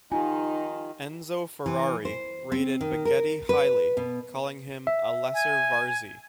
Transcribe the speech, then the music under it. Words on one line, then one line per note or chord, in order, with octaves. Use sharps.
Enzo Ferrari rated Baghetti highly, calling him, 'a lesser Varzi'.
D#3 D#4 F4 G4 G#5
E3
C5
C4
D#3
A#4
B4
B2
E5
G#5